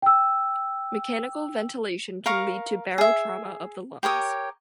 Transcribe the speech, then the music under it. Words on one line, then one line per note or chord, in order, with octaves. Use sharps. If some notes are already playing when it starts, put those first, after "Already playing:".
Mechanical ventilation can lead to barotrauma of the lungs.
G5 E6
A#4 F5 A#5 C#6
G#4 E5
G4 A#4 C#5 D#6